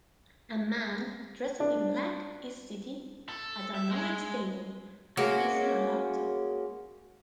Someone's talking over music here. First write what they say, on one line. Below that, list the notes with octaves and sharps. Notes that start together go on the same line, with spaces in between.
A man dressed in black is sitting at an orange table and is on a laptop.
D4
A4
E5
G#3
G#3 A#3 C#4 F#4